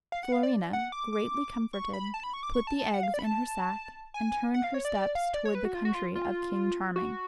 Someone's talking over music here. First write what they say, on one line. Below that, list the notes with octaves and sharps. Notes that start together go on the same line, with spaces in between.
Florina, greatly comforted, put the eggs in her sack, and turned her steps towards the country of King Charming.
F5
F#5
F5
D5
F#5
D6
D6
C#6
B5
A5
B5
C#6
D6
C#6
A5
A5
F#5
F5
D5
B5
A5
G#5
F#5
F5
C#5
D5
D5
F5
D5
C#5
B4
F#4
F4
F#4
F4
F4
F#4